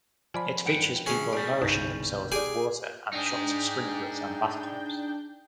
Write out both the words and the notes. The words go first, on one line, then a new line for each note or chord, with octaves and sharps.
It features people nourishing themselves with water and shots of sprinklers and bath tubs.
F3 F4 D5 F5 G#5 B5
G2 F#5 G5
D2 A2 C#4 G#4
B2 G3 D5
G1 C2 D#4
G4 G#4 D5 G#5 D6
D4 D#4 G#4 G5 G6